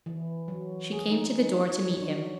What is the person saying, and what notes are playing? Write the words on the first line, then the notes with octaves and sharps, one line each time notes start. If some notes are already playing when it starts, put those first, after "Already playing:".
She came to the door to meet him.
E3
F#3
G#4
D#4
D#4
C#5
F#3
D4